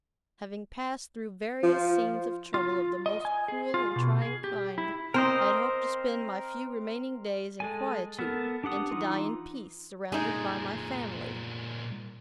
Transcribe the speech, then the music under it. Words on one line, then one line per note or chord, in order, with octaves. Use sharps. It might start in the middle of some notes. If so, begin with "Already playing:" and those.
Having passed through various scenes of trouble of the most cruel and trying kind, I had hoped to spend my few remaining days in quietude, and to die in peace, surrounded by my family.
F3 F4
F4
D#5
G#5
G#4
F4
B2
G#4
G4
E4
C4 A#4 C5 D#5
G#3 A4 G#5
B3 A4 A#4
D4 G4 F#5 D#6
E3 D#4 F4
A#2 G#3 D#4 G#4